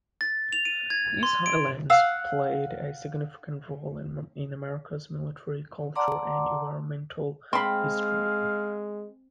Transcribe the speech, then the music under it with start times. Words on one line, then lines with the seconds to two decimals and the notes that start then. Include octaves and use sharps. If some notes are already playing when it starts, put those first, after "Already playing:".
These highlands played a significant role in America's military, cultural and environmental history.
0.21 A6
0.53 F7
0.65 D#7
0.90 G#6
1.23 C6
1.46 D7
1.90 F5 F#5 E6
5.95 D5 F#5 A5 A#5 C6 D6
7.53 G#3 C4 F5 B5 C6